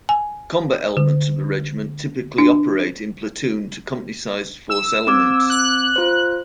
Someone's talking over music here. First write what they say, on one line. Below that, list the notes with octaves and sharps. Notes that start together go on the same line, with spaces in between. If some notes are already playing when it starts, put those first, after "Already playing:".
Combat elements of the Regiment typically operate in platoon to company sized force elements.
G#5
D3
D4
E6
C4 D6 G#6
F#6
F4 C5